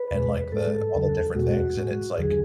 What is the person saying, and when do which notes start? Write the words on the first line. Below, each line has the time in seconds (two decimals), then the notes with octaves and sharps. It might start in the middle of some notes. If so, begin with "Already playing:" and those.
and, like, the all the different things and it's like,
Already playing: B4
0.11 E2 B2 G#3
0.52 G#2 G#3 A4
0.95 E2 C#3 F#3
1.35 E2 B2 G#3 F#4
1.77 A2 G#3
2.18 E2 D3 F#3 G#4